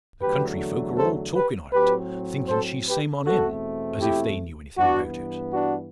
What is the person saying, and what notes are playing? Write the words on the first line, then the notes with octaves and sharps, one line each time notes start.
The country folk are all talkin' o't; thinkin' she's same on him, as if they knew anything about it.
E2 D3 F#3 A3 G4 B4
A4 C5
G4 B4
A2 F#3 C4 G4 B4
A4 C5
G4 B4
E2 B2 A3 C4 F#4 A4
E4 G4
G2 E3 B3 D4 F#4
D4 F#4